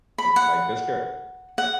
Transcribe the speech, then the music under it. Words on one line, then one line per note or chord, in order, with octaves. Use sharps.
Like like, Discor
B5
F#5
F#5